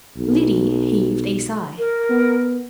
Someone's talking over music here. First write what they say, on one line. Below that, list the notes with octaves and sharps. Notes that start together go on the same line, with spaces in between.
Liddy heaved a sigh.
B1
A#4
B3